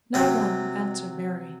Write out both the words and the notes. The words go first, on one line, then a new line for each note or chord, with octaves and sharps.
"No one!" answered Mary.
C3 F#3 C4